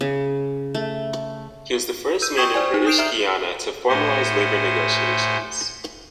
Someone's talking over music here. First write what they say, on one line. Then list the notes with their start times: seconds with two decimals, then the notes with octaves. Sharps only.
He was the first man in British Guiana to formalize labour negotiations.
0.01 C#3
0.75 A3
2.22 E6 G6 D#7
2.37 G5 C#6 D#6 G#6
2.54 C5 D5 G#5
2.74 D#4
2.87 D#6 G6 C7 D7 E7 F7
2.98 E5 A#5 F6
3.89 A2 A3 C5 F#5 G#5 C6